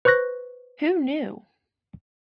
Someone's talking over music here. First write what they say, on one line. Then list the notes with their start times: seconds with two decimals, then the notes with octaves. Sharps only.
Who knew?
0.05 B4 C5 C#6 F#6 A#6